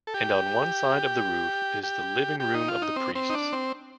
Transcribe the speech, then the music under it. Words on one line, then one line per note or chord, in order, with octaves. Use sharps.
And on one side of the roof is the living room of the priests.
A4
G4
G4
G4
D#4
F4
D#4
C4
C4
D#4
D4
C4